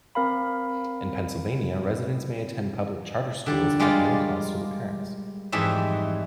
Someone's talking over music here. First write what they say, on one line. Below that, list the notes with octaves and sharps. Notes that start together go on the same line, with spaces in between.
In Pennsylvania residents may attend public charter schools at no cost to the parents.
C4 A#4 F5 B5
D3 G3 D5
G3 G#3 A#3 F4 D5 F5
F2 G#2 E3 G3 D#4 E5